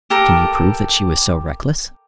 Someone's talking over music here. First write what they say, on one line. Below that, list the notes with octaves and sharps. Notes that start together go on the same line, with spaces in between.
"Can you prove that she was so reckless?"
G4 A4 A#4